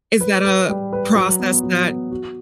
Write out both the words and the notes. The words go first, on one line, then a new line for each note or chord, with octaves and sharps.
is that a process that
B4
B4
G3
B4
F#3
B3
F#3
B3
F#4